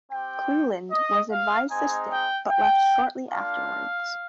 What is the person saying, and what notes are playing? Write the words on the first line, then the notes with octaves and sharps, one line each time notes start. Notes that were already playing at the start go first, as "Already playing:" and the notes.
Cleland was advised to stay but left shortly afterwards.
C4 G4 G5
D#5
F5
G#3 C4 D#4 G#5
G5
G5
A#3 D4 F4 F5